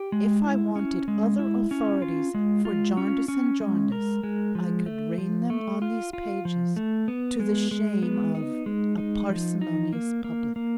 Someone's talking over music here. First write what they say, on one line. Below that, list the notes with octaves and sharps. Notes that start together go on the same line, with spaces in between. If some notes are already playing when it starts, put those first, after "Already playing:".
If I wanted other authorities for Jarndyce and Jarndyce, I could rain them on these pages, to the shame of--a parsimonious public.
Already playing: G4
G#3
E4
C#4
G#3
E4
C#4
F4
G#3
F4
C#4
C#4
G#3
A#4
G#3
F3
A3
F3
A3
F4
F4
F3
A3
B3
G#3
G#3
B3
D#4
G#3
D#4
F3
D#4
A#3
A#3
A#3